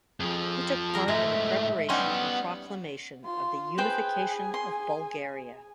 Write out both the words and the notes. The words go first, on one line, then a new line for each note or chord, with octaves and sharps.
He took part in the preparation and proclamation of the Unification of Bulgaria.
F2 F3 G#4
G#4 A#4 A#5
G#2 G#3 A3 E5
G3 B3 C#4 D#4 F#5 C6
F4 C6
G#4 B4 C5 G5 G#5
C6